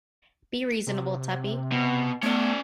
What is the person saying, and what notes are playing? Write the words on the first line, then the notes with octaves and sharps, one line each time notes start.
Be reasonable, Tuppy.
C3
B2
A3 B3 C#4 D5